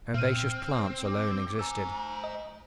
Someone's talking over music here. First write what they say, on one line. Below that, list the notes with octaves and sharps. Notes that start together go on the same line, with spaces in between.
Herbaceous plants alone existed.
A#2 C4 F6 D#7
C5
D6
C5 G#5 A#5 E6
D#5